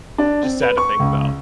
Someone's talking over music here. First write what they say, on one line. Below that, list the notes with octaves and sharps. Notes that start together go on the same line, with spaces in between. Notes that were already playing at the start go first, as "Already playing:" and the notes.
just sad to think about.
D4
C4
B4
C#6
C#2